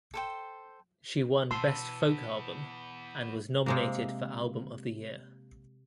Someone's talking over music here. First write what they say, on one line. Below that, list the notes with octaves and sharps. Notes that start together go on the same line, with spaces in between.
She won Best Folk Album and was nominated for Album of the Year.
A4 C5 G5
B2 E3 B3 A5 C6 E6
C3 G#3 A#3